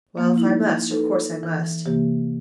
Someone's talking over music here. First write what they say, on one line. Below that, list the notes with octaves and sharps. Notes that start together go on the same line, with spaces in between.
Well, if I must, of course I must.
F3 A#3
D#4 E4
D#4 A4 B4
E3
C3 E3 A#3 G4